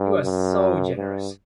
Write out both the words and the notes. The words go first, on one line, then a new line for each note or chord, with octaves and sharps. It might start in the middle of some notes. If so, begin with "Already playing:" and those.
You are so generous!
Already playing: G2
F#2
G2